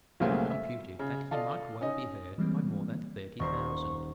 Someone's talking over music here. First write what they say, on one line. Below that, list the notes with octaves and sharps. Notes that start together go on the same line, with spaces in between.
I computed that he might well be heard by more than thirty thousand.
B1 G2 C#3 A3 A#3 C5
E5
C#3
F4 A4 D5 D#5 F5
C#4 D#4 D#5
E3 G3 G#3 A#3 C4
D#1 A#4 C5 C#6